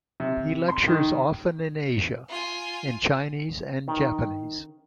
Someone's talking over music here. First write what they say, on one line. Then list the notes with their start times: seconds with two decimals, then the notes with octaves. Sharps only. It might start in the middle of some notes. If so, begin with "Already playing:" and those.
He lectures often in Asia, in Chinese and Japanese.
0.20 C3
0.68 C6
0.88 D#3
2.29 F4 G#5
3.88 D#3